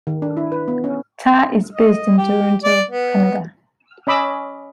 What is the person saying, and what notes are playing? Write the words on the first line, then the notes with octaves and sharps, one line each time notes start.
Ta is based in Toronto, Canada.
D#3
D4
E4
B4
B3
C#4
D#5
G4
D5
B3
C#4 D#5 B5 D6 E6